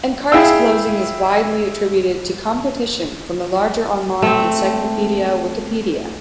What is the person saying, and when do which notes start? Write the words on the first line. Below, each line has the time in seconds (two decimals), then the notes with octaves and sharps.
Encarta's closing is widely attributed to competition from the larger online encyclopedia Wikipedia.
0.32 E4 G#4 F5 G5 E6
4.22 A3 C4